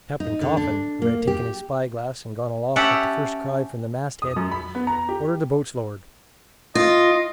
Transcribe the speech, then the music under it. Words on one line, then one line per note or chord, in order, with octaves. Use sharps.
Captain Coffin, who had taken his spy-glass and gone aloft at the first cry from the masthead, ordered the boats lowered.
D#4
D3
D4
A#3
G4
C#4 G4 E5 F#5 A5
D#6
F#2
B5
B3
A#5
G4
F4 D#5